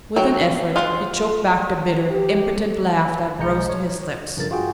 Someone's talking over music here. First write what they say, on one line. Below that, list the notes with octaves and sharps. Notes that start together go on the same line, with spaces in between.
With an effort, he choked back the bitter, impotent laugh that rose to his lips.
F#3 G5
F4 C5 F#5
G4
A5
B1 G#3 D#5 A#5 G6 C#7
C#5
G2 C#3 F3 A4 A#4 A6
F4 F#4 G#4 G5